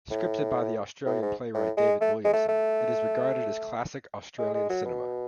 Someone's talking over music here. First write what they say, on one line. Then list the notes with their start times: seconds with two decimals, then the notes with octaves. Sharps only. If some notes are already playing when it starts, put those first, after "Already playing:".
Scripted by the Australian playwright David Williamson, it is regarded as classic Australian cinema.
0.11 A2
1.06 A2
1.22 G#2
1.54 A2
1.77 G#3
2.01 A3
2.25 G#3
2.33 A3
2.49 A3
4.38 G#3
4.54 G#3
4.70 F#3
4.85 B2